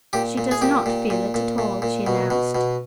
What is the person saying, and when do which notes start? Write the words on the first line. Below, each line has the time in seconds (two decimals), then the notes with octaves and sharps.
"She does not feel it at all!" she announced.
0.13 A#2 G4
0.38 A#2
0.51 G#4
0.61 A#2 G4
0.86 A#2
1.10 A#2
1.34 A#2
1.58 A#2
1.82 A#2
2.07 B2
2.30 B2
2.55 B2